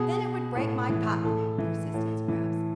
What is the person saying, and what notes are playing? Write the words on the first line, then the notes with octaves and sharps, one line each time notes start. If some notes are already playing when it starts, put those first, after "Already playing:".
"Then it would break my cotton," persisted Scraps.
Already playing: B2 G#4
A2
E3
A2 A4
E3
A2
E3